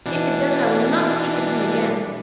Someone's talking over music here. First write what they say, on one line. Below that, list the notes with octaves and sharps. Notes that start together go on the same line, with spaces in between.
If it does, I will not speak of him again.
B2 E3 D4